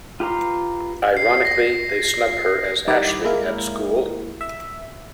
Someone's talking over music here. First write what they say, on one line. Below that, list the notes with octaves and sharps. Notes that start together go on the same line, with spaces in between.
Ironically they snub her, as Ashley, at school.
F4 G4 B4 A#5 C6
C7
A#6
D#3 G3 D#4 E4 D5
G#3 A#3 E4 A#4
E5